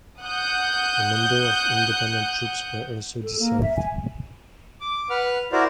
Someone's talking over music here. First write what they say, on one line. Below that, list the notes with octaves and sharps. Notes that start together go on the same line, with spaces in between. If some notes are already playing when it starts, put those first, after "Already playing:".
A number of independent troops were also dissolved.
F#5 D#6 F#6 G6
A4
A#3
E5
G#5
D6
B4 F#5 F6
E4 F#4 A#4 C5 D5